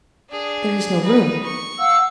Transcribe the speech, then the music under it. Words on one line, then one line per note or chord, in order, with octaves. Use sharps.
"There is no room."
D4 G#4
D#4 B4
C#6
F5 F#5 E6